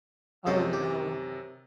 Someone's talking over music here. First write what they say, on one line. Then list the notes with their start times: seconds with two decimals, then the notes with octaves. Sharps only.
Oh, no.
0.46 F#2 C3 G#3 A4 C5
0.73 G4